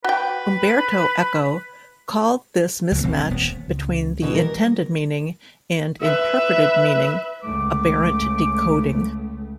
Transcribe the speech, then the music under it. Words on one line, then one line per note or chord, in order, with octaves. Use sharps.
Umberto Eco called this mismatch between the intended meaning and interpreted meaning aberrant decoding.
F#4 B4 G5
C#2 F#3
D#1 B2 G3 C4
D#1 D2 B3
C#2
B2 E3
G3 A#4
B4 E5
C#2 A3 D6